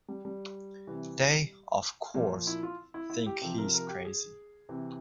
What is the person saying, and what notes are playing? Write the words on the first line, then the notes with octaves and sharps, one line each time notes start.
They, of course, think he's crazy.
G3
G3
C3 E3
A#2 F3 G3
E4
F4
E4
E4
G4
C3 F3 G4
A#4
A#4
G4
G#4
C3 E3